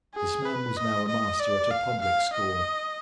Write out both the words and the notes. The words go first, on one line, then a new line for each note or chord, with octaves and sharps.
This man was now a master at a public school.
G#4
B4
D#5
D#5
D5
F5
F5
D#5